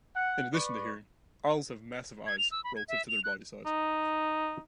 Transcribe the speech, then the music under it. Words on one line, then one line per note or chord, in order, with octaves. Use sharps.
In addition to hearing, owls have massive eyes relative to their body size.
F#5
B4 D5 C#6
G#6
F7
E6
B5
G#6
E5
F7
F#6
D#4